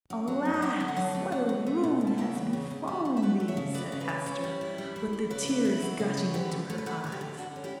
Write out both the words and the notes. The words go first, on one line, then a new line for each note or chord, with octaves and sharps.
"Alas! what a ruin has befallen thee!" said Hester, with the tears gushing into her eyes.
F#2
F#3
F#2
F#5
F#3 E5 G5
D3
F#5 A5
F#3
A3
F#3
B2
A3
B2
B2
A5
C#3 E5 G5
E2
C#3
C#3
G3
G3
E5
A3 D5 F#5
A3
C#5 E5
C#3
A3 B4 D5
C#3
B4 D5
C#3
C#4
G3
E4
G3
E4
E4
C#3 B4 D5
E4
E4
F#3
C#3
F#3
D3 G4 B4
A3
A3
B4
A3 F#4 A4
D3 C#5
G4 B4
D3
D3 F#4 A4
C#4
E4 G4